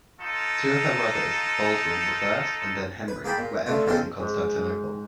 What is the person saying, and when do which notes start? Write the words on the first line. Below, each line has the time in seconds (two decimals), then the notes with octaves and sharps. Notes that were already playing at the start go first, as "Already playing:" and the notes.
Two of her brothers, Baldwin the First and then Henry, were emperors in Constantinople.
0.21 D#4 F4 A4
3.08 B4
3.25 A#3 G#4 G5 A5 B5
3.38 A#2
3.66 D3 A3 F4
3.86 B1 C#3 C4 A4 C6
4.20 G#2